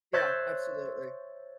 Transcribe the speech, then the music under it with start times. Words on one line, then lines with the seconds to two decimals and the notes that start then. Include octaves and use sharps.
Yeah, absolutely.
0.13 C5 C#5 E5 C6 F#6 A6